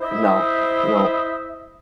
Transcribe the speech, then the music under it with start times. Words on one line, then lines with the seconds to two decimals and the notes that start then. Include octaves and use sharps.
No. Nope.
0.01 E4 C5 D#5 E5